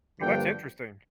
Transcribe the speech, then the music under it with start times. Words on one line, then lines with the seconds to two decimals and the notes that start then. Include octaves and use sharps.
Oh, that's interesting.
0.20 G2 D3 F3 A#3 G5